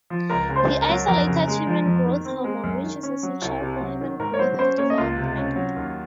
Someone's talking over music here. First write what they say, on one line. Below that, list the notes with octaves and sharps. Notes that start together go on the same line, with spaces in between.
He isolated Human Growth Hormone, which is essential for human growth and development.
F3
C#2 A#4 A#5
C#3
C5 C6
C#2
A#4 A#5
F#3
F2 A#4 A#5
C#3
G#3
F3
F2
D#3
C4
G#3
F#2
D#3
C#4
F#3
C2
C3
F#3
D#3
G#2 A#4 A#5
C#5
F#3 C5
C#4 C5
A#3 C#4 C#5
D#5
C#2 F4 F5
C3
C#4
F#3
D#2